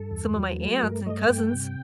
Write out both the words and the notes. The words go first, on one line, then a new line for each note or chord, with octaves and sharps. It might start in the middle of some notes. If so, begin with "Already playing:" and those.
some of my aunts and cousins.
Already playing: G2 A4
E2
F#3
A3
G2 A#4
A3 D#5
G2 G5
C3